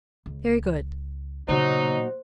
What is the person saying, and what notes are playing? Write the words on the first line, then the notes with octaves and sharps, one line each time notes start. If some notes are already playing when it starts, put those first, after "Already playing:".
"Very good."
C#2
B1 A#2 C#3 F#3 A#3 D#4 F#4 C5